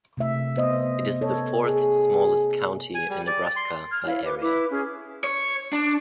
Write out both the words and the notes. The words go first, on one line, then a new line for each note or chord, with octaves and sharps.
It is the fourth-smallest county in Nebraska by area.
C3 A3 E5
B3 C5 D#5
A4 C#5
G#4
G#5
G3
D5
C6
F6 G#6
E4 C#5 F5
B4 D6
E4 B4 D6
C#4 G#4
C#5
D4